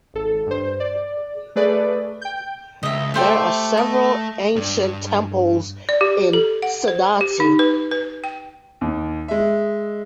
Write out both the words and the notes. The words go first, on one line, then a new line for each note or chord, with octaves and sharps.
There are several ancient temples in Saudatti.
G#1 A4
G2 C5
D5
A3 G#4 B4 D5
G5 G6
C#2 D#5 E5
A3 G4 A4 C5 E5
D#5
G2 D5
D5
G4
A4
F#5
C5
G4
D#4
B4
B4
G5
D#2
G#3 E5